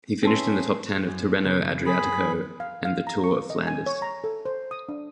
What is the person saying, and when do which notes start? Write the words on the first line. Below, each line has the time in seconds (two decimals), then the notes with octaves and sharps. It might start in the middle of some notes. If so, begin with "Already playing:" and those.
He finished in the top ten of Tirreno-Adriatico and the Tour of Flanders.
0.23 C4 C#4 G#4 B4 E5 A5 C6
1.07 F#2
1.44 C#3 B3
1.86 C4 G#4 B5 B6
2.60 F5
2.85 F5
3.07 A#5
3.24 C#6
3.50 D#5
3.67 G#5
3.86 C#5
4.02 A#5
4.24 A4
4.46 C5
4.71 D#6
4.89 D4